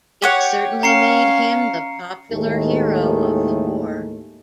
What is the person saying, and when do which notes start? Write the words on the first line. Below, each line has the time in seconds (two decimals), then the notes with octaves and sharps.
It certainly made him the popular hero of the war.
0.22 G4 C#5 F#5
0.83 C#4 F5 A#5 C7 C#7
2.32 D#2 A2 D#3 G#3 A3